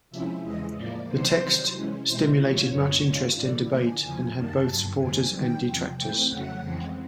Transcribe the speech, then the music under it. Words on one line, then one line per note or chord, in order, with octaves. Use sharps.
The text stimulated much interest and debate, and had both supporters and detractors.
C3 F3 G#3 C#4 E4 E5
E2 C#3 E3 G#3 D#5
A2 F3 A#3 D5
C3 E3 G3 B3 D#4 C5
C3 D#3 F#3
E3 G#3 C#4
B2 G#3 C4 E4 C5
A#2 F3 A3 C#4 F4 C#5
F#2 D3 F#3 B3 D4 C#5
D#3 G#3 C#4 F4
A2 E3 A3 D5
D3 F3 A#3 G#5
E2 C#3 F3 G#5
F#2 D#3 G3 A#3 A5
G2 D3 F#3
F2 D3 G3 C4 G#5
D#3 G3 B3 G5
E2 C3 F3
E3 A3 C4 E4 G5
F2 C#3 F#3 A3 C#4 F#5
F2 C#3 E3 G#3 C4